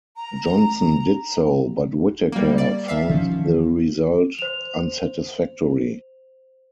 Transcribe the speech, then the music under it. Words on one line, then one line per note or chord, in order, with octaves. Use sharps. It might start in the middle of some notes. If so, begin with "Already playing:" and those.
Johnson did so, but Whitaker found the result unsatisfactory.
A#5
G3 A#3
D5
E5 F5
D#3 F3 C#4
C5 F7